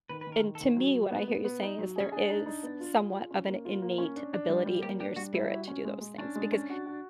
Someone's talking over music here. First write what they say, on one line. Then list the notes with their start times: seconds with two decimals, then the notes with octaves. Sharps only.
and to me, what I hear you saying is, there is somewhat of an innate ability in your spirit to do those things, because,
0.09 D#3 B4
0.21 B4
0.27 D#3
0.32 A#4
0.43 D#3
0.55 A4
0.61 D#3
0.77 F#3
0.94 F#3
1.11 B3
1.28 B3
1.44 B3
1.62 D#4
1.79 F#3
1.96 C#4 G#4
2.12 D4 G#4
2.30 D#4
2.46 D#4
2.63 B3
2.80 F4
2.97 G#4
3.14 F4
3.31 C#4
3.47 A#3
3.65 F4
3.82 A#3
3.98 C#4
4.16 D4
4.33 D4
4.49 G3
4.66 G3
4.83 A#3 G4
4.99 D4 G4
5.16 G3 F#4
5.34 G3 E4
5.51 F#4
5.68 C#4
5.85 G#3
6.01 G#3
6.18 C#4 D4
6.35 G#3
6.52 C#4
6.70 F#4
6.86 F#4